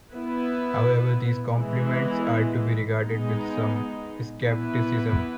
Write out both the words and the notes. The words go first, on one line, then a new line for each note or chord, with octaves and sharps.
However, these compliments are to be regarded with some skepticism.
B3 E4 B4
E3 G#3 B3 E4
G#3 B3 D#4
E3 B3 E4 B4